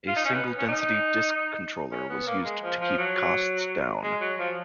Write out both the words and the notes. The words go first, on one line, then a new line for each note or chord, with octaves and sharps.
A single-density disk controller was used to keep costs down.
F4
D#4
C#4
B3
C#4
D#4
C#4
B3
A#3
G#3
F3
F3
F#3
G#3
F#3
F3